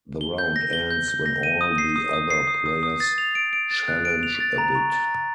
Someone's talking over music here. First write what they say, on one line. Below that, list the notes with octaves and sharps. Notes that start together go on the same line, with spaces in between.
The round ends when all the other players challenge a bid.
G7
G6
A#6
G7
G6
G6
A#6
D#7
D#6
C7
D#6
D#6
C7
D#6
D#6
D#6
A6
F7
D7
D7
A6
F#6
D7
F7
A6
A#5
C#6
A6
A6